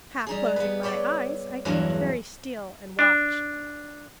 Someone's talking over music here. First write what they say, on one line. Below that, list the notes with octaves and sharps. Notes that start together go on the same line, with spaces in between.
Half closing my eyes, I kept very still and watched.
G3 D#4 G#4
B3 B4
C#5 D5 E5 G5 B5
E2 G2 F#3 G#3 E4
D4